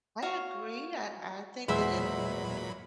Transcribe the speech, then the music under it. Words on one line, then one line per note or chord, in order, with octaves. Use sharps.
I agree I I think that it
F#4 C#5 F5
E2 A#2 F#3 G#3 E4 C5 E5 B5